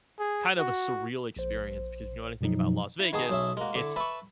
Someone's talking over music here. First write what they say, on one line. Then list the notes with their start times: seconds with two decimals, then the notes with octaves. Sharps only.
kind of a surreal experience because you know anything about Las Vegas, it's
0.19 G#4
0.59 F#4
1.36 A#1 C5
2.41 F#2 B2 F3 F#3 D#4
3.00 E4
3.13 D#3 B3 G#4 A5 D#6
3.29 B1 C#4 E5
3.57 G#3 A#3 F#4 A#4
3.75 D3 E4 A4 D5
3.96 B4 E5 A5 B5 C#6